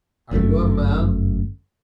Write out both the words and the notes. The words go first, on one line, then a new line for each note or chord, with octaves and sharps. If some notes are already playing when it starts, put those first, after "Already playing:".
Are you a man?
G1 F#2 D3 A3